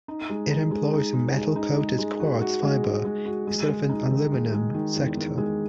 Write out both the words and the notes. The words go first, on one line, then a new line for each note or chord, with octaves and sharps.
It employs a metal-coated quartz fiber instead of an aluminum sector.
D#4
G#3
D#4
G#3
D#4
G#3
G#3
D#4
G#3
G#3
F#4
F#4
G#3
G#3
G#3
F#4
G#3
G#3
D#4
D#3
G#3
G#3
D#3
E2
D#3
G#3